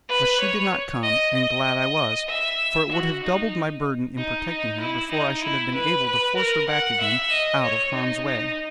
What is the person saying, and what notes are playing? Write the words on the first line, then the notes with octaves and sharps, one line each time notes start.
But she did not come, and glad I was, for it would have doubled my burden in protecting her before I should have been able to force her back again out of harm's way.
B4
C#5
D#5
D#5
E5
F#4
D#4
D#4
D#4
E4
D#4
E4
B4
B4
A#4
F#5
E5
D#5
C#5
D#4
D#4